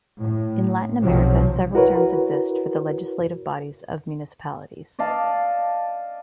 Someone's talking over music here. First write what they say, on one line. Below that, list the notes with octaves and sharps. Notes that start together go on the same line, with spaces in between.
In Latin America several terms exist for the legislative bodies of municipalities.
A2
B1 C3 F3 F#3
E4 F#4 A#4 B4 C#5
D5 D#5 F5 A5